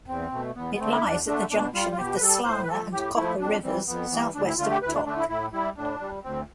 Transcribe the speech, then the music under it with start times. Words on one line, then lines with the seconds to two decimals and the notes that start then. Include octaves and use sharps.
It lies at the junction of the Slana and Copper rivers, southwest of Tok.
0.08 E2 C4
0.32 B2 A3
0.56 E2 B3
0.75 B3
0.79 D3 A3 C4
0.95 E4
1.03 E2 D4
1.27 D3 A3 D4
1.51 B2 D4
1.74 G3 F4
1.91 F4
1.98 B2 G4
2.16 B4
2.21 G3 A4
2.45 A2 C5
2.63 B4
2.69 F3 A3 A4
2.92 A2 G4
3.16 F3 A3 E4
3.40 F2 D4
3.64 E3 G3 C4
3.87 F2 B3
4.11 E3 G3
4.34 D2 D4
4.46 E4
4.58 D3 A3 F4
4.70 G4
4.82 D2 B4
4.89 E4
4.94 D4
5.06 D3 A3 D4
5.17 E4
5.29 A2 E4
5.53 G3 E4
5.77 A2 D4
6.00 G3
6.24 D2 C4